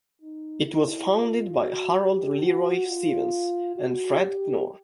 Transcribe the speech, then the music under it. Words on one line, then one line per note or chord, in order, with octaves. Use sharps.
It was founded by Harold Leroy Stevens and Fred Knorr.
D#4
E4
F4
F#4
G4
F#4
F4
F#4
G4